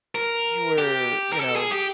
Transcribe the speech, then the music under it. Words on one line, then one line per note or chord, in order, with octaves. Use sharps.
you were, you know,
A#4
G4
A#4
A4
G#4
G4